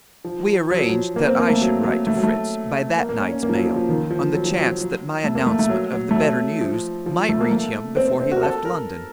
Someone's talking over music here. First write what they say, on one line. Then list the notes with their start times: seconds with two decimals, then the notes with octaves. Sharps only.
We arranged that I should write to Fritz by that night's mail, on the chance that my announcement of the better news might reach him before he left London.
0.24 F3
0.71 F#3
0.79 F3
0.89 F#3
1.16 A#3
1.27 C4
1.39 A#3
1.49 A3
1.61 F#3
1.83 F#3
2.07 A3
2.16 F#3
2.23 A3
2.98 A#3
3.09 A#3
3.20 C#4
3.31 C#4
3.43 A#3
3.49 F3
3.54 F#3
3.66 F3
3.76 F3
3.89 D#3
4.11 F3
4.34 F#3
4.45 F3
4.56 F#3
4.67 F3
4.79 F#3
5.24 A3
5.35 A#3
5.47 A3
5.59 A3
5.69 F#3
5.92 F#3
6.11 A3
6.15 F#3
6.61 F3
7.06 F3
7.29 A3
7.41 A#3
7.51 A3
7.97 C4
8.08 C4
8.20 C4
8.32 F#4
8.37 A#4
8.43 A4
8.65 A#4